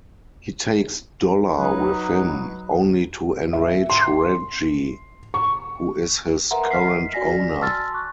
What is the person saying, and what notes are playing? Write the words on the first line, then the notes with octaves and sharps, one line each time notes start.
He takes Dollar with him, only to enrage Reggie, who is his current owner.
F#3 D#4 B4
E5
C6
C#6
A#4 B4 E5 F#5 A#5 C6
D#5 F6 B6 C7
F#4 D5 G#5 A#6 B6
G#5 A5 C6 E6 F6 A6
C#6 D6 F#6